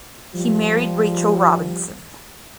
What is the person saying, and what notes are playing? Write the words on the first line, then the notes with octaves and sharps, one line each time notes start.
He married Rachel Robinson.
F3 G3